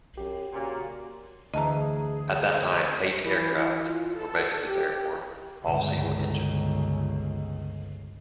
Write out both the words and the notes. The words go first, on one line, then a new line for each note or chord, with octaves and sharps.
At that time eight aircraft were based at this airport, all single-engine.
F#2 G4
A#2 C#3 F#4
D2 E3 G#4 D#5 A5 A#5
E3
F4
A4
G4
G1 C#2